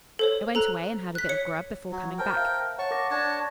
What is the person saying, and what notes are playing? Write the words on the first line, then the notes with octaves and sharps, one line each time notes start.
I went away and had a bit of grub before coming back.
A4 C5 C#5
A4 A#5 F#6
F#6 B6
C#5 C#7
F#3
A#4 C5 G5 A5 G6
E5 F5
C#5 F#5 A5 C#6
A#4 D6 A#6
D4 C#5 A5 A6 A#6